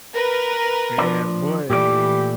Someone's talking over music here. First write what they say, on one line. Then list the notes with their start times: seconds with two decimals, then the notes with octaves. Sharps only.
and but,
0.14 A#4 B4 A#5
0.98 F3 D4
1.70 A#2 E3 A3 G4 D5